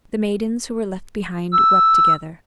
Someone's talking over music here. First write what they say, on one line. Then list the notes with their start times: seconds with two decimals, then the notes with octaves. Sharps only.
The maidens who were left behind wept together.
1.53 E6